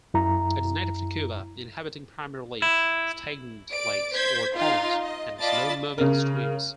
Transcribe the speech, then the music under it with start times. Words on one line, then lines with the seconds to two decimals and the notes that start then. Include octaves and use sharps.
It is native to Cuba, inhabiting primarily stagnant lakes or ponds and slow-moving streams.
0.14 F#2 E4 A#5
2.62 E4
3.70 D5 D7
4.14 C5 G6 G#6 B6
4.56 D#4 F4 F5 C6
5.01 D#5
5.40 F4 D5 D#5 A5 B5 A6
5.98 C#3 A#4